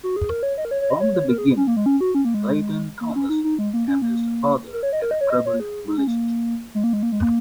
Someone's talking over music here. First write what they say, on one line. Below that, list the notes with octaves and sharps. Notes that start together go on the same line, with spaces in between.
From the beginning, Clayton-Thomas and his father had a troubled relationship.
F#4
G#4
A#4
C#5
D#5
A#4
C#5
C#5
D#5
C#5
C#5
A#4
G#4
C#4
A#3
G#3
C#4
F#4
C#4
A#3
G#3
A#3
C#4
D#4
D#4
G#3
A#3
C#4
A#3
A#4
C#5
D#5
A#4
D#5
C#5
D#5
C#5
G#4
D#4
C#4
A#3
G#3
A#3
G#3
A#3
G#3
A#3